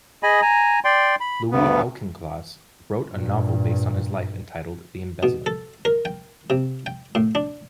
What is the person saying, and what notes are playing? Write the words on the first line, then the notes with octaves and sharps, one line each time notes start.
Louis Auchincloss wrote a novel based on his life entitled "The Embezzler".
G#4 D#5 G#5 B5
G#5 A#5
D5 G5 C6
B5
D2 G2 B3
G2 A#2
B2
A4
A#4
G5
C3
G5
A2
D4